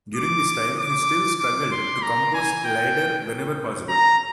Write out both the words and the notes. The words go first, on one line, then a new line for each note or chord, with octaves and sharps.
During this time, he still struggled to compose lieder whenever possible.
D6
D6
D6
C6
A#5
G#5
G5
A#5